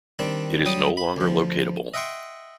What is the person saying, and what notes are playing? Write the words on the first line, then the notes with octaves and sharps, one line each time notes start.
It is no longer locatable.
D#3 G3 C4 D4
F#3 G3 G5 D#6
B5
D2 F3
D#5 E5 F#5 G5 C6 C#6